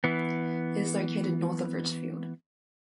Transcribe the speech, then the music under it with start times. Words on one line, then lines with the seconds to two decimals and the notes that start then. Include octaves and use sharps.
It is located north of Richfield.
0.04 E3 B3